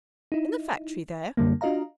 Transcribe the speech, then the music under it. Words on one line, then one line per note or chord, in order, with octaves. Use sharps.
In the factory there?'
D#4 E4
F#2 D3 G3 A#3
D4 F4 F#4 D#5 F5 A#5